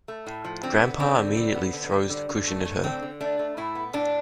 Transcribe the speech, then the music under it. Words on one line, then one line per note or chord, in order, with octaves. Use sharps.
Grandfather immediately throws the cushion at her.
A3
A2
F3
D3 C4
B3
D3 C4
G3
D3
B3
D3
G3
D3
D3
A3
A3
D3 C4
D3
A3 D4
A3
A2 E4
B3
A2 D4